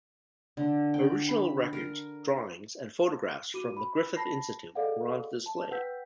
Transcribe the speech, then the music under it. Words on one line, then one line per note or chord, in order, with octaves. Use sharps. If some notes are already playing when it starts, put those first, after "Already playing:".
Original records, drawings and photographs from the Griffith Institute were on display.
D3
G5
B5
A#4
F#4 D6 D#7
B5
A5 B5 A#6 C7
G#4 A4 D5 D#5 F5 F#5
A5
B4 F#5 G5 E6 G6 B6